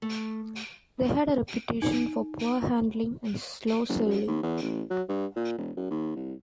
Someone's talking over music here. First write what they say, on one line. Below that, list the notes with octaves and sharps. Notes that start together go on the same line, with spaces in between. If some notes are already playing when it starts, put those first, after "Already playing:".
They had a reputation for poor handling and slow sailing.
A3
D#4
F#1
F#2
D#2
E2
A1
F#3
G2
A#2
E1
F#2
D#2
C2